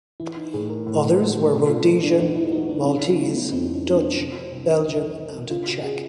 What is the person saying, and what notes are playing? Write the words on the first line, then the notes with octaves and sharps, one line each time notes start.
Others were Rhodesian, Maltese, Dutch, Belgian and Czech.
E3 E4
D#4
A2 G#4
A#4
A2
A3
B2 A4
F4
A#3 F4
D4
E2 D#4
E4
F#3 D#4
D4
C#3 C#4
D#4
A3 E4
B3
F2 C4
C#4
F#3
D4
C3
C2
C2
E3
C#3 F4
F#4
G#4